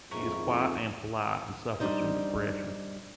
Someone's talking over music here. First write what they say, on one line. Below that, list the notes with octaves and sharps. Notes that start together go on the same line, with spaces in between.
He is quiet and polite and suffers from depression.
F2 G#2 C#4 E4 A#4
G3 D4 D#4 C5